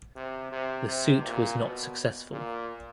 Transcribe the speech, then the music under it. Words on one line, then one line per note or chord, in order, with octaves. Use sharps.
The suit was not successful.
C3
C3
C3
A#2
B2
A#2